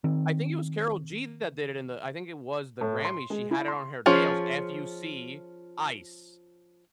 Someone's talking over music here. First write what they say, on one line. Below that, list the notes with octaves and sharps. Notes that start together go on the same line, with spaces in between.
I think it was Carol G that did it in the I think it was the Grammy, she had it on her nails, F-U-C ICE,
D#3 C4
A2
C6
G#3
E4
C6
F3 C#4 F4 G#4